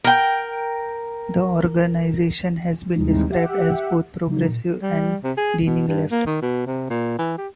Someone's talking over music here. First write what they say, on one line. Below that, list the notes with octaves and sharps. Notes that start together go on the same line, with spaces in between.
The organization has been described as both progressive and leaning left.
A#4 G5
D#2 C3 E3 G3 G#3 D#4
G4 E5 F#5
C#3 F#3 A#3 D#4
A#2
G3
C3
G#4
B2
G2
A#3
D#3
B2
C3
A#2
E3
G4